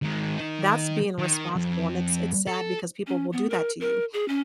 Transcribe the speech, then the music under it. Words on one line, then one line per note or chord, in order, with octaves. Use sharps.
That's being responsible, and it's it's sad because people will do that to you.
D#3 G#3
D#3 D#4
D#3
F2
A4
C#4
B3
A#4
A#4
G#4
C#4